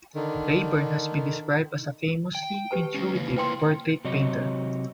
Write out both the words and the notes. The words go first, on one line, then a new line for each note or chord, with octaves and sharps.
Raeburn has been described as a "famously intuitive" portrait painter.
D3 D#3
G5
G4 B4 A5
G#3 C#4
C#3 E3 A#3
A#3 E4 F4 B4 G5 C6
C3 F#3 C#5 D#5